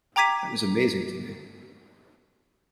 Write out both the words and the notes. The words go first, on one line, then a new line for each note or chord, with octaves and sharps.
That was amazing to me.
G5 A#5 D6 G#6 B6 D#7